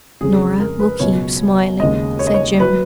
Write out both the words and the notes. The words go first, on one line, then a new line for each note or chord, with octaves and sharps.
"Norah will keep smiling," said Jim.
F2 C#3 G#3 G#4
A#4
B4
C#2 B2 F#3 C#5
D#2 C#3 G#3 D#5
C#5
D#5
C#5
F#3 B4